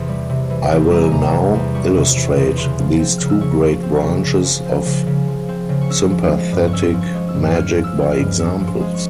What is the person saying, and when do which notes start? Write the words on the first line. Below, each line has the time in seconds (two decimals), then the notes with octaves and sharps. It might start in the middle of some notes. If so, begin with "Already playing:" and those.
I will now illustrate these two great branches of sympathetic magic by examples.
Already playing: E2 C3 E3 C6
0.09 G3
0.29 C3
0.50 E3
0.71 E2
0.92 G3 A#5
1.02 G#5
1.12 C3 A#5
1.33 E3
1.54 E2
1.74 G3 C#6
1.96 C3
2.16 E3
2.37 E2
2.57 C#3 C6
2.79 F3
2.99 C4
3.18 C#3 F6
3.30 E6
3.41 C#3 C#6
3.61 F3
3.83 C4
3.96 C#6
4.03 C#3
4.24 C#3
4.45 F3
4.66 C4
4.86 C#3
5.07 C#3
5.27 F3
5.49 C4
5.69 C#3
5.81 C#6
5.90 C#4 E6
6.11 F3
6.31 G#3
6.52 G2
6.68 C#6
6.73 C#4 E6
6.94 F3
7.01 C#6
7.14 G#3
7.28 E6
7.35 G2
7.56 C#4 F6
7.76 F3
7.84 E6
7.97 G#3
8.11 F6
8.18 G2
8.39 C#4 E6
8.60 F3
8.67 C6
8.80 G#3
8.94 C#6